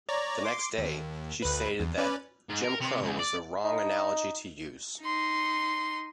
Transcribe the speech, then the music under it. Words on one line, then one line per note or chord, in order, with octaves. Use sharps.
The next day, she stated that "Jim Crow was the wrong analogy to use".
C#5 D5 A#5
C6 D6
D#2
D2 B4
E2
C#4 B4 D5
G#2
A#4
C3
C#2
D5
D#4
D#4 C6